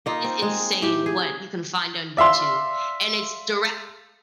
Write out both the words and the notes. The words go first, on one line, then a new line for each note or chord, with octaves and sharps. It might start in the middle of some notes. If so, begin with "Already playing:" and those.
it is insane what you can find on YouTube, and it's direct
A#3 D#4 F4
C4
G#3
A2 G4
G#4
D5 E5 F5 C6